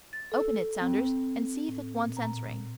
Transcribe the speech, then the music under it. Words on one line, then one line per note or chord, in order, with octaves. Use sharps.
"Open it, Saunders, and see if it wants answering."
A6
A4
C4
A2
A#2
A#5